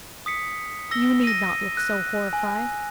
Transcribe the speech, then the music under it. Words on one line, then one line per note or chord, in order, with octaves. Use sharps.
You need not look so horrified.
D#6 B6 C#7
E6 A#6 G7
A#6 D#7
F#6
G#5